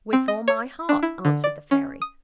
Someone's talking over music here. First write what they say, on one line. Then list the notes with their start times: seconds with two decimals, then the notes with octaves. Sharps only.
"With all my heart," answered the fairy.
0.13 C4
0.28 D#5
0.48 C#5
0.89 D4
1.03 E4
1.25 D3
1.44 D5
1.71 C#4
2.02 D#6